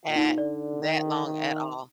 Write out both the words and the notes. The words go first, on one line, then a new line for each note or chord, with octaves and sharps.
At that long at all.
A#2
D#4
D3 D5
D#3
D#3